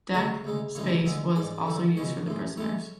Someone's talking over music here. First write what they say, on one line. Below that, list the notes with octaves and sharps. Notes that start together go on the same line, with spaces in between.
Deck space was also used for the prisoners.
D2 C#3 G#3 C#5
D2 C#3 G#3
D2 C#3 E3 G#3 C#5
D2 D3 G#3
G#2 G#3 D5
E2 D3 F#3
C#2 B2 G#3 C#5
A2 G#3
A2 G#3 C#5